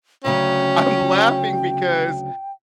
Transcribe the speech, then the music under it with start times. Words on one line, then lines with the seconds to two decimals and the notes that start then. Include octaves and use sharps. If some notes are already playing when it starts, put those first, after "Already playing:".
I'm laughing because
0.25 D2 C#3 F#3 C#4 G5